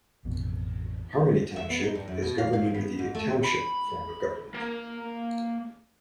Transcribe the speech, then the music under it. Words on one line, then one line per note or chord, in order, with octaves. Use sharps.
Harmony Township is governed under the Township form of government.
A1 F2 B2
E5
B3
D#4
G2
F#2
B2
F5
F5
B3
G#2
A3
B5
A#3